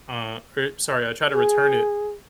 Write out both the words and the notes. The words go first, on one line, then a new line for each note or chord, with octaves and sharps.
Uh, I sorry, I tried to return it
G#4